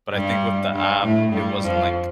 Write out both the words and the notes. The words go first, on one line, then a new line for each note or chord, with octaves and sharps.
but I think with the app, it wasn't, like,
G2 G3
G2 G3
A2 A3
G2 G3
F2 F3